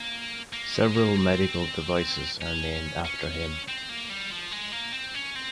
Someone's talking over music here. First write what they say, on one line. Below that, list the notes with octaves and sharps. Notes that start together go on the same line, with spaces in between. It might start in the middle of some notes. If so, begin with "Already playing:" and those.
Several medical devices are named after him.
Already playing: A#3
A#3
G#3
A#3
C4
C#4
C#4
C4
A#3
G3
F3
G#3
A#3
C4
C#4
C4